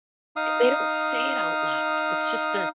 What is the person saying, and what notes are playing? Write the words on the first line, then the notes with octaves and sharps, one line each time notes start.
Yeah, they don't say it out loud, it's just a
D#4 F5 D#6